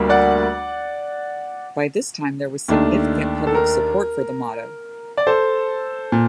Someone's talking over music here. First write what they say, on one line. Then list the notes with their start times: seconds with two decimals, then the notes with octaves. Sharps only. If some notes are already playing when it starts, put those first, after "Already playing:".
By this time, there was significant public support for the motto.
Already playing: D2 G3 A#3 D4
0.09 D5 F#5
2.68 D#2 D#3 A3 D4
3.47 A4
3.55 A#4
5.17 D5
5.27 A4 C5
6.12 A#2